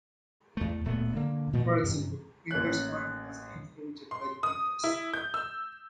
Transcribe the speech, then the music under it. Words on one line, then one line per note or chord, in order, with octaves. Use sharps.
For example, Pinder's Point was inhabited by the Pinders.
E2 A3
D1 A#2 A3 B3
D3 A#3
A#2 D#3 F3 A3
G2 C3 E3
A1 A#3 C#4 F#6
C6
D#6
E4
G6
E6